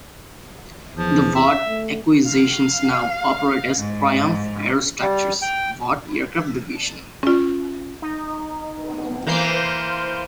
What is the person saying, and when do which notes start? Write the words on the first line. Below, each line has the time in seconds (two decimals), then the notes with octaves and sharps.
The Vought acquisitions now operate as Triumph Aerostructures - Vought Aircraft Division.
0.95 E2 F3
1.36 E5
1.68 A3
2.25 F5
3.79 G#2
5.02 G3
5.42 G5
7.23 C#4 F4
8.02 D#4
9.27 E3 A#3 C5 F5 G6